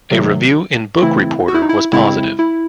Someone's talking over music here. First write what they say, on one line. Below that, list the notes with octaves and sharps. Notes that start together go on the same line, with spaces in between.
A review in "book reporter" was positive.
C3 D#3 F#3 A3
C#3 E3 A3 C4 E4
F#4
E4
D#4
E4
C#3 G#3 C4 E4
E4